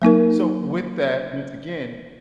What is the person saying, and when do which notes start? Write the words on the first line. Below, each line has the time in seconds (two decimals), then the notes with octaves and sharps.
so with that, once again,
0.02 F#3 A#3 D#4 A#4